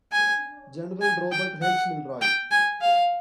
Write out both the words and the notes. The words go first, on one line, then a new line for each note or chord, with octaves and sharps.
General Robert H. Milroy.
G#5
G#5
G5
F#5
G5
G#5
F5